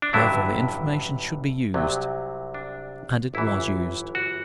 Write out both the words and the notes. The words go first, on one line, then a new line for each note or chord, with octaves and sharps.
Therefore the information should be used--and it was used.
D4
A1 G2 D3 F#3 E4
C2 C3 F#3
D4
G1 F#2 E3 E4
F#4